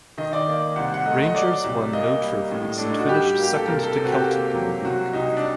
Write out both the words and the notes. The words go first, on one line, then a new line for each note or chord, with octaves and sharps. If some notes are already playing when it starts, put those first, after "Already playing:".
Rangers won no trophies and finished second to Celtic in the league.
D#3 D#5
D5
A#3
C2 F#5
F#5
A3 D#5
D#5
F#3 D5
C2
A#3 D#5
G3
A2
A3 D4
D#4
F#4
G3 G4
A#3
G4
A4
C2 A#4
A4
C3
F#4
G4
A#3
F#3
C2 F#4
C2 D#4
D4